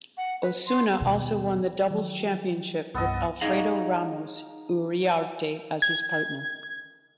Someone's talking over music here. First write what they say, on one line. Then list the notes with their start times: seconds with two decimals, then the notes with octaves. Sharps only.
Osuna also won the Doubles Championship, with Alfredo Ramos Uriarte as his partner.
0.17 F#5
0.42 B4
0.66 C6
1.00 D#2 B2
1.90 D#3 F3 F#3
2.95 C2 G2 B3 A4 D#5
3.41 D#4 G#4 D#5 F5 F#5
5.82 G#6